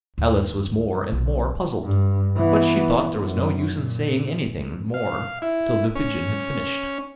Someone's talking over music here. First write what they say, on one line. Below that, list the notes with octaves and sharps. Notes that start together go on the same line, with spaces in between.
Alice was more and more puzzled, but she thought there was no use in saying anything more till the Pigeon had finished.
D#2
B1
G2
E3 B3
F#2
A#2
F5
E4
C#4